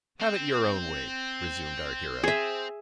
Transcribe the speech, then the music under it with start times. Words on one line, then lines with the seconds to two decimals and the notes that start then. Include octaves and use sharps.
"Have it your own way," resumed our hero.
0.21 C4
2.23 G#4 E5